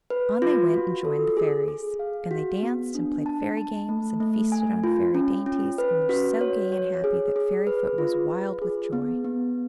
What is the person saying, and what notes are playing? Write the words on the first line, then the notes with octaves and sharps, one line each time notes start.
On they went and joined the fairies, and they danced and played fairy games and feasted on fairy dainties, and were so gay and happy that Fairyfoot was wild with joy.
B4
F4
F#4
A4
G#4
G#4
F5
F#4
B3
D4
A5
A5
A3
A3
G#5
F4
C#4
C#4
B4
F#4
C#5
C#5
G#4
G#4
B4
F4
B4
G#4
B3
B3